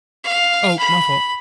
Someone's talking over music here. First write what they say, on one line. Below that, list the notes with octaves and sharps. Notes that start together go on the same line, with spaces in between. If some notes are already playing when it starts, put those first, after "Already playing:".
Oh, my fault.
F5
B5